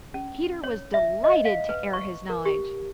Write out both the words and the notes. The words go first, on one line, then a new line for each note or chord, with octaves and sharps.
Peter was delighted to air his knowledge.
C#4
C#5
E5
D#5
F5
B4
C#6
A#4
G4